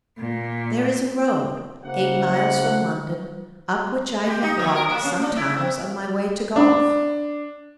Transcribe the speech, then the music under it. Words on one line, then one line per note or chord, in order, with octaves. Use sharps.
There is a road eight miles from London up which I have walked sometimes on my way to golf.
A#2
C#3 A#3 E4 F#4 C5 F#5
G4
D#4
F3
A#4
A#3
C#4
D4
E4
C4
D4